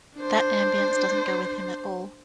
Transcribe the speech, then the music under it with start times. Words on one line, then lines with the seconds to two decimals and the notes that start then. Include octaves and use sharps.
That ambiance doesn't go with him at all.
0.18 D4 C5